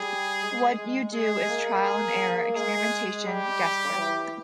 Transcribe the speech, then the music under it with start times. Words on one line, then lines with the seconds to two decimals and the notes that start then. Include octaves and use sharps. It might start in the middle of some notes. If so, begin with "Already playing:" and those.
What you do is trial and error, experimentation, guesswork.
Already playing: G3 G#4
0.43 G#3
0.79 G#3
1.14 G#3 G#4
1.50 A#3
1.84 G#4
2.56 G#3 G#4
3.26 G3 G4
3.98 E3